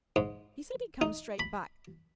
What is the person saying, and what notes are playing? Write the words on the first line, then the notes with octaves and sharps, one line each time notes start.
He said he'd come straight back.
G#2
D#4
B5